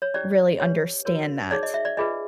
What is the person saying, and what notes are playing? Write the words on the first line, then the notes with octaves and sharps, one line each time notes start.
really understand that
C#5
C#4 E4 G4 D5
D4 G4 B4 C#5
F#4 A#4 C#5
D#4 G#4 C#5 D5
D#5
E5
D5
D4 F4 G#4 B4 D#5